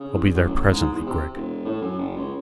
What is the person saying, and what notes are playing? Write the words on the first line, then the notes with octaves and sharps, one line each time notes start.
"I'll be there presently, Gregg."
C#3
E2
F#2
A1
G#2
E2
C3
E1
A2
F#2
F#1
C#2